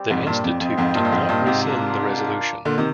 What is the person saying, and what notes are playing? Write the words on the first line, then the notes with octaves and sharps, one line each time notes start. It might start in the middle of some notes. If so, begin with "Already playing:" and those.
The Institute did not rescind the resolution.
Already playing: G3 C4 G4 D5
F2 G#2
G2 A#2
F2
F2 F4 C5 D#5 G5
F2 G#2
G2 A#2
G2
F2 G#2
G2 A#2
G#2 C3
D4 F4 A#4 D5 F5
A#2 D3
C3 D#3